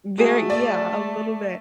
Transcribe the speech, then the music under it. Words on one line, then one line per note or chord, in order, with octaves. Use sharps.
Very yeah, a little bit.
G#3 A3 F#4 G#4
D5